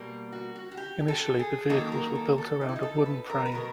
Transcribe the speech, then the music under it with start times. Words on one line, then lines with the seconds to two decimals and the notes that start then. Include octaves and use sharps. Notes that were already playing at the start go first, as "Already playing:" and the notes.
Initially the vehicles were built around a wooden frame.
Already playing: B2 G3 A#3
0.32 F#4
0.56 F#4
0.71 F#4
0.77 G4
1.08 A4
1.39 G#4
1.69 D#3 F#3 A#3 A4
1.92 A#4
2.15 A4
2.38 A4
2.61 D#4
2.69 E4
2.76 D#4
2.83 A4
3.06 B4
3.30 A#4
3.46 B4
3.52 B2 F#3 A3 A#4